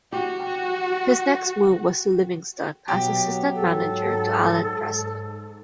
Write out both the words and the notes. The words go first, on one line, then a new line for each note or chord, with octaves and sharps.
His next move was to Livingston as assistant manager to Allan Preston.
F#4 G4
B2 F#3 G4
G#2 A4